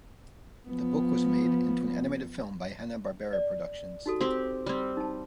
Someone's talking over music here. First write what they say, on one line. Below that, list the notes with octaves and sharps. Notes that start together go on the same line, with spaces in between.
The book was made into an animated film by Hanna-Barbera Productions.
F3 B3
D5
D#4 F#4 A4
C4 G4
G3 C4
D#4 A5